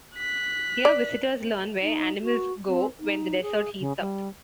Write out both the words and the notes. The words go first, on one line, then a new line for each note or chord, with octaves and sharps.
Here visitors learn where animals go when the desert heats up.
F#6 B6
D5
D#4
F#4
C4
D#4
G#4
C#3
G3